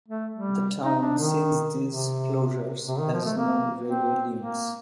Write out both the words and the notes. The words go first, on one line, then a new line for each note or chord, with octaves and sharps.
The town, since these closures, has no railway links.
A3
G3
D#4
D4
D#3
C3
C3
D#3
F3
A3
A#3
C4
A#3